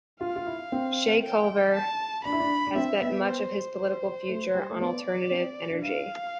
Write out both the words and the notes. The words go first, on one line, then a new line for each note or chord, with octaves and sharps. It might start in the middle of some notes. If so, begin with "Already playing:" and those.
Chet Culver has bet much of his political future on alternative energy.
F4 F5
F4
E4
C4
G5
A5
D4 B5
E4
D4
D4
C4 E5
B3
C5
C5
A3
G3
A3
B3 D5
C4
D4
E4 F5